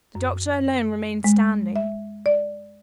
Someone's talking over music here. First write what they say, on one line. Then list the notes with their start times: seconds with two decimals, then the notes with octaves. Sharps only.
The doctor alone remained standing.
0.15 F#2
1.24 G#3
1.76 E5
2.26 D5